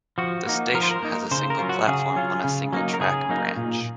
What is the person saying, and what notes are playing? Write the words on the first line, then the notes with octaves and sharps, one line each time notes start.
The station has a single platform on a single track branch.
F3 F#4
A#3 D#4
F3 A#4
C5
A#4
A#3 D#4
C#3 C5
A#4
F#3 C#4 F4
F#4
C#3 G#4
F#3 C#4 F4
C#3
F#3 A#3 D#4
A#4
C#3 G#4
F#3 A#3 D#4
A#2